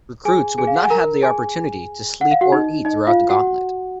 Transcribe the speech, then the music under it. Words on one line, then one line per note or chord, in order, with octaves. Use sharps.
Recruits would not have the opportunity to sleep or eat throughout the Gauntlet.
G#4 G#5
G#4 G#5
F5
F#5
G#5
A#4 A#5
G#4 G#5
F#5
F5
F#4 F#5
D#4 D#5
D#4 D#5
F4 F5
F#4 F#5